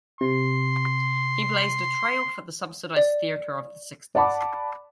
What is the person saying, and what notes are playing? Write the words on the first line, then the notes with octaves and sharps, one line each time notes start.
He blazed a trail for the subsidised theatre of the sixties.
C3 C6
D5
D5 F#5 A5 B5 D6